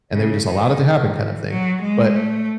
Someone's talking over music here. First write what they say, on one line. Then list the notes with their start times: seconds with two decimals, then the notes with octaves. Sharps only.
and they were just allowed it to happen kinda thing, but
0.12 C#3
0.46 D#3
0.80 E3
1.48 F#3
1.82 G#3
2.15 A3